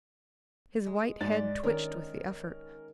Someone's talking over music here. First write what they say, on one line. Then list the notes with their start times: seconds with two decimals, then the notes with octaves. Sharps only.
His white head twitched with the effort.
0.86 G#3
1.21 G#2 D5 A6
1.63 D#3 C#4 A#4